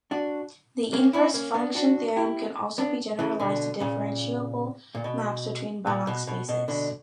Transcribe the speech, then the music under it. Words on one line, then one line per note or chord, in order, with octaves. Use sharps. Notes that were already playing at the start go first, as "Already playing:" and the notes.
The inverse function theorem can also be generalized to differentiable maps between Banach spaces.
D4 F#4
A#3 C#4
C#4 E4
A#3 C#4
B3 D4
D4 F#4
E4 G4
B3 D4
C#3 E3
B2 D3
A#2 C#3
A#2
B2
A#2
B2
B2
B2
B2 D3